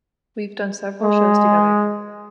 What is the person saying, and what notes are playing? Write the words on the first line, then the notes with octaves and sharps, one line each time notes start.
We've done several shows together.
G#3